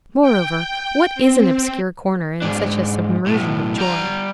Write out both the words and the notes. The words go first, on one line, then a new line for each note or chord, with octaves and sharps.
Moreover, what is an obscure corner in such a submersion of joy?
G5
C4
G#2 D4
B1 A2
G3 A#5